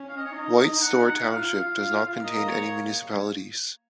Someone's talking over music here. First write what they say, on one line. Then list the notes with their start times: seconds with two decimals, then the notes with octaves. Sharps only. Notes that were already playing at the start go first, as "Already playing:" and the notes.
White Store Township does not contain any municipalities.
Already playing: C#4
0.09 F5
0.17 D#5
0.25 C#5
0.33 D#4 D#5
0.81 F#5
1.05 F#5
1.29 F4 F5
1.76 F4
2.24 A#3 D#5
2.48 C#5